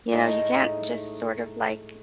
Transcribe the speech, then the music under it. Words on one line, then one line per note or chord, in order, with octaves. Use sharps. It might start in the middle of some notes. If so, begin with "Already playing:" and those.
you know, you can't just sort of, like,
A2 G#3 A3 D#4